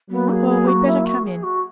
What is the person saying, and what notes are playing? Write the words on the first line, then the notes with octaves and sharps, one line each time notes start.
Well, we'd better come in.
F#3 A#3 B3
G#4
G#4
F#4
E4
F#4
G#4
F#4